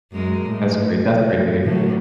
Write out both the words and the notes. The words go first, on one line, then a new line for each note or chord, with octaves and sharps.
That's great that's great to hear.
F#2 G#3 A#4
A2
F3
A2 F#3